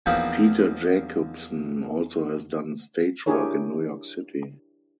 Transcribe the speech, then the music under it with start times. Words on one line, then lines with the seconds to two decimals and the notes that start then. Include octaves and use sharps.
Peter Jacobson also has done stage work in New York City.
0.06 E2 F3 A#3 C4 D#4 B4
3.26 D4 E4 G4 G#4 A#4 C#5